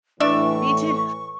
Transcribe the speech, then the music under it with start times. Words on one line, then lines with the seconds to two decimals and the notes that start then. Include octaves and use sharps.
Me too.
0.20 A2 E3 D4 D5 E5 C#6